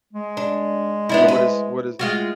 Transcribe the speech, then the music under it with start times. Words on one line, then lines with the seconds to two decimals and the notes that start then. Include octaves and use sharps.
So, what is what is
0.13 G#3
0.37 D4
1.09 B3 D4 E4
1.28 B4
1.99 G#3 F4 F#4